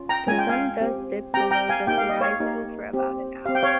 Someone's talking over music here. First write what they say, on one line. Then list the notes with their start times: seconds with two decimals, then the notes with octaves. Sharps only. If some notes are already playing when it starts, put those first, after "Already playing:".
The sun does dip below the horizon for about an hour.
Already playing: C#4 F4
0.09 G5 A#5
0.27 G#3 C#4 F4 G#5
0.38 G5
0.49 F5 G#5
0.80 C4 G4
1.34 C4 G4 G5 A#5
1.51 G5 A#5
1.69 F5 G#5
1.87 A#3 D#4 G4 G5
1.98 F5
2.10 D#5
2.21 C#5 F5
2.40 A#3 D#4 G4
2.93 C4 G4
3.46 C4 G4 F5
3.55 G5
3.63 C#5 F5